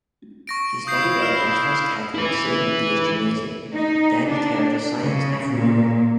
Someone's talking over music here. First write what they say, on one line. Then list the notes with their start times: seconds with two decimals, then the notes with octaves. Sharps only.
He studied at Breslau's Catholic St.-Matthias-Gymnasium, then Caritas Science at Freiburg.
0.47 C#6 A#6 D7
0.87 E4 F5 D#6 G6 C7
1.23 F6
2.14 E4 B4
3.73 D#4
4.27 D4
5.04 C#3
5.54 A#2